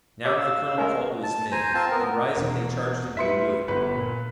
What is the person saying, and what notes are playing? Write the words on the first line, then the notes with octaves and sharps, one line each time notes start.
Now, the colonel called to his men, and rising they charged into the wood.
G4 C#5 D#5 E6
F5 E6
G#3 C#4 A#4
A5
C5 G#5 A#5
C4 F4 A5
B3 A#4
E1 A#3 A#4
G3 B4 E5 C6 B6 C#7
G1 B4
A#2